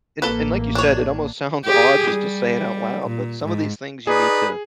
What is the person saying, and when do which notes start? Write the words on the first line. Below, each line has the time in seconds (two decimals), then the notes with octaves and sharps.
And and like you said, it almost sounds odd just to say it out loud, but some of these things you need to
0.22 A1 A#3 A4 B4
0.75 D4 C#5
1.65 G4 G#4
2.12 G3
3.07 A#2
3.45 G#2
4.07 D#4 G#4 B4 D5